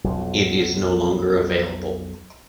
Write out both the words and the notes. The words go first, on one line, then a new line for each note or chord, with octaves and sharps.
It is no longer available.
B1 F2